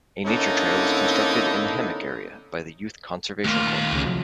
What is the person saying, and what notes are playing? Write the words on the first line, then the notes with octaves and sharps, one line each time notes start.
A nature trail was constructed in the hammock area by the Youth Conservation Corps.
D3 A#3 C4 C#4 D#4 E4
D#2 A3 A#3 F4
C#2 C#3
C3 F3 F#3